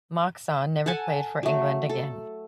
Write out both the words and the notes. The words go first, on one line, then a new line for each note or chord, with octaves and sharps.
Moxon never played for England again.
A4 F#5 G#5 A5
F#3 A3
A4